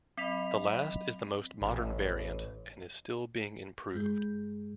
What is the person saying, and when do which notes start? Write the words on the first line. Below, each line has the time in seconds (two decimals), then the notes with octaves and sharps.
The last is the most modern variant and is still being improved.
0.17 F#3 C4 D#5 B5 B6 F7
1.61 A1
3.93 G2 G#3 G#4 G6